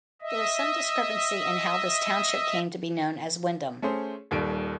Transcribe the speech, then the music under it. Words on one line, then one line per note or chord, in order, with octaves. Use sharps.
There is some discrepancy in how this township came to be known as Windham.
D#5 E5
A3 C#4 G#4 C5
D#1 D#2 G3 D7